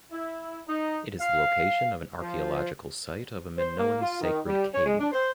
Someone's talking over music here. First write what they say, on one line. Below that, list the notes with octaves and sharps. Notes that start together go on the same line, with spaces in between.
It is the location of an archaeological site of a Minoan sacred cave.
E4
D#4
F5
F3
C5
A#3
F4
D#3
G3
C#5
G#3
D4
C5